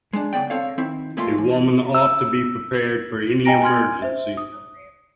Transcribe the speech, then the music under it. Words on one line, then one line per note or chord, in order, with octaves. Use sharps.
A woman ought to be prepared for any emergency.
G#3 D4
C#3 E3 B3 D5 G5
C4 A4 C#5 F5
D#3 C4 E4
B1 A#2 A3 A#3 F4 C6
E3
E6
D#5 G5 G#5 A#5 A#6 D7
G#5 C6 F6 G#6
C5 E5
D#6